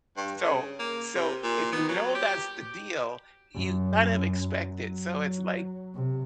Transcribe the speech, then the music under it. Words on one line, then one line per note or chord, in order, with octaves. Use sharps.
So so, if you know that's the deal, you kind of expect it, so it's like
G2
C#3
A#3
C3
A#2
B3
F#3
G4
F#2
F#3
C3